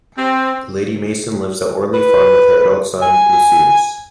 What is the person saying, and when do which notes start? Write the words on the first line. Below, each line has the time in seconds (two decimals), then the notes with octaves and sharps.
Lady Mason lives at Orley Farm with her adult son, Lucius.
0.18 C4
1.94 B4
3.02 G#5